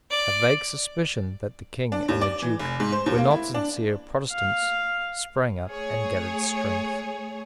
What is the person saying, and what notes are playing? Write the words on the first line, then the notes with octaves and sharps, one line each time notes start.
A vague suspicion that the King and the Duke were not sincere Protestants sprang up and gathered strength.
D5
D4
D#2
D5
E3
F1
G#2
C5
D#2
A#3
E4
D4
F5
A3 G#4 C#5